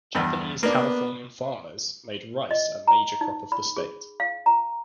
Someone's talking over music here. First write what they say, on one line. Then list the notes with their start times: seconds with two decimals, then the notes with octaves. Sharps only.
Japanese Californian farmers made rice a major crop of the state.
0.15 E2 G2
0.63 A#3 B3 D4
2.51 D#5
2.87 A#5
3.21 D#4
3.52 B5
3.76 G#4
4.20 F5
4.46 A#5